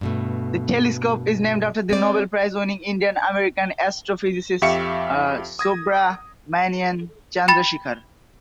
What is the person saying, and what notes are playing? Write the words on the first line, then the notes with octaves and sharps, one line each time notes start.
The telescope is named after the Nobel Prize-winning Indian-American astrophysicist Subrahmanyan Chandrasekhar.
G2 B2 A3
G#3 C4 D5
F2 G4 E5 F5 C#6 C#7
D#6 G#6 A#6
G5 B5 A6